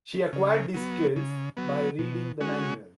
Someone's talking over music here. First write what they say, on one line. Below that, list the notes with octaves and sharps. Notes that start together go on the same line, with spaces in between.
She acquired these skills by reading the manual.
C#3
F#3 B3
C#3
F#3 B3
B2
G#3 C#4 F#4